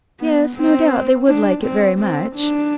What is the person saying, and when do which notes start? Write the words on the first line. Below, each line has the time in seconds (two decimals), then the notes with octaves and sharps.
"Yes; no doubt they would like it very much."
0.20 B3
0.56 C4
1.28 D4
1.63 C4
2.00 C4
2.36 D4